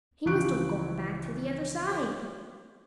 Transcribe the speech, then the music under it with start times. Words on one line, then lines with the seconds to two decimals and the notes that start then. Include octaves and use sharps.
He must have gone back to the other side.
0.26 C#2 E3 F3 C#6 F#6 D7